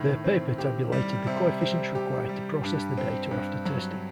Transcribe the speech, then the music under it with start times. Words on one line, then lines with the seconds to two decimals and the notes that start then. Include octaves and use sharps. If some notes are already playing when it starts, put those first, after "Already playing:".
Their paper tabulated the coefficients required to process the data after testing.
Already playing: A2 D#3
0.24 C4
0.58 G4
0.92 G3
1.27 C3
1.61 C4
1.95 G4
2.29 G3
2.64 G2
2.97 C4
3.31 G2
3.65 F#3